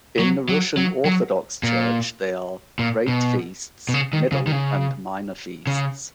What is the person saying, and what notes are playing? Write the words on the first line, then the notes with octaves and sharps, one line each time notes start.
In the Russian Orthodox Church they are: Great Feasts, middle, and minor feasts.
F#3
F#3
F#3
F#3
A#2
A#2
B2
B2
C#3
D#3
C#3
D#3
C#3
C#3